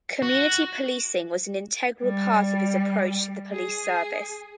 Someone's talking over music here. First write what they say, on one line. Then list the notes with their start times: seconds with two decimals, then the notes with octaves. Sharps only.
Community policing was an integral part of his approach to the police service.
0.22 F#4
2.00 G3
3.50 G#4